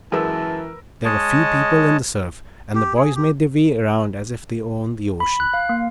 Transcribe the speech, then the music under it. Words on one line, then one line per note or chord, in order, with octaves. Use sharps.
There were few people in the surf and the boys made their way around as if they owned the ocean.
F#2 E3 G#3 A#4 B4 A5 E6
G#3 C#5 D#5 A5
G4
G#4
G4
B5
F#6
F5
A#3